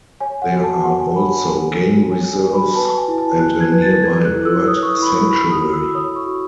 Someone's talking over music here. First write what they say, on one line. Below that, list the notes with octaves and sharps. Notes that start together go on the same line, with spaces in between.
There are also game reserves and a nearby bird sanctuary.
C#5 G#5
F#5
F#4
A5
F#4 F#5
G#5
C#5 B5
G#5
A4
F#4
C#5 G#5
G#5
F#4
B5
B4 A5
G#5
E4
A5
E4 F#6
G#6
B4 G#6
A6
A4 G#6
F#6
E4
E6
C#5 D#6
C#6
D#6
E4 B5
C#6
A4 B5
D#6
F#4
E6
C#5 D#6
C#6
F#4